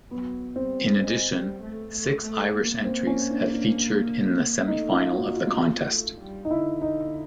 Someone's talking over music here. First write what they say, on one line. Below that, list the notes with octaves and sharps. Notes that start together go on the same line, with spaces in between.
In addition, six Irish entries have featured in the semi-final of the Contest.
F#3 B3
G3 C4
G#3
G3
A3
A3
A3
A#3
C4
C#4
D4
D4
A3 D#4
F4
A#3 F#4
F4
A#3
A3
G3
D#4
D3 E4
D#4